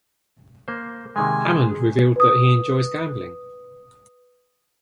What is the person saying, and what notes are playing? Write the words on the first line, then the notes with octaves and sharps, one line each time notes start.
Hammond revealed that he enjoys gambling.
A#3 C5
C3 D#3 G#3 G#5
G#4
B4 D#6